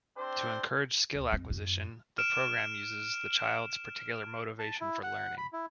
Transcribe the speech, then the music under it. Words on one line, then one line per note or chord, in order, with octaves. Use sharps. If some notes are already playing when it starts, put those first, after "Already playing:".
To encourage skill acquisition, the program uses the child's particular motivation for learning.
C4 D4 G4 C5
D2
F2 G#3
F#2 A3
F6 D7 E7
A5
E4
F#5
B5
E4